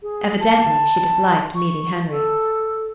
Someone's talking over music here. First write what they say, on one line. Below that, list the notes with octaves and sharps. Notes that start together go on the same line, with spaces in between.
Evidently she disliked meeting Henry.
G#4
A5
C#6
A4